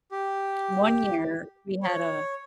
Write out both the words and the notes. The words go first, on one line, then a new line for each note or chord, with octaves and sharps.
One year we had a
G4
C#5